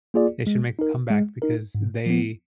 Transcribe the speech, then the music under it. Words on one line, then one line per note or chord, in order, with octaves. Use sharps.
they should make a comeback because they
A#3 F4 G#4 D5
G#3
D#4 A#4
G#3
D#4 A#4
G#2
F3 B3